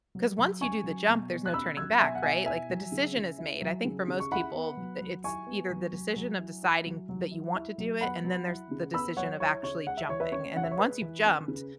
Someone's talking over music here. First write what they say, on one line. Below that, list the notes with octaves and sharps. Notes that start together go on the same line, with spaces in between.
'cause once you do the jump, there's no turning back, right? Like, the decision is made. I think for most people, th it's either the decision of deciding that you want to do it, and then there's the decision of actually jumping, and then, once you've jumped,
F#3
F#3
C#4 G#5 C#6
F#3
B2
B2
F#6
C#4 B5 E6
F#3 E6 G#6
B2 E5 G#5
F#5
B2 E5 G#5
E4 E5 G#5
F#3
C#3
C#3
E4
F#3
C#3
C#3
C#6
E4 F#5 B5
B3
F#3
F#3
E4 G#5 C#6
B3
F#3
F#3
F#3
E4
E4
F#3
F#3
E4
E4
F#3
B3 F#5 B5
F#3
E4
C#3
B3 B5 E6
F#3 C#5 F#5
E4 C#5
C#3 C#5
G#3 F#5
E5
E3 C#5
B4 E5
C#4 C#5
C#3 F#5
E5
C#5
G#3 B4
E3
C#4
C#3